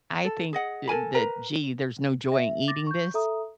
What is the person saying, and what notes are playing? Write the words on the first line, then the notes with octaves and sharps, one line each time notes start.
I think, eh, that, "Gee, there's no joy in eating this"
A4
G#4 D#5 F#5
A4 A#4 G#5 B5
A#4 B4 A#5
E5
D6 A6 A#6
C#6 G6
A4 E5 A#5 D#6